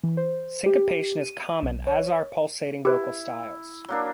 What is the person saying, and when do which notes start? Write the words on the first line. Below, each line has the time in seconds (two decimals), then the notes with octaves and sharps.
Syncopation is common, as are pulsating vocal styles.
0.03 E3
0.17 C5
0.66 G4
1.21 D#7
1.63 B1
1.87 C#5
2.85 E4 G4 B4
3.88 F#3 A#3 D4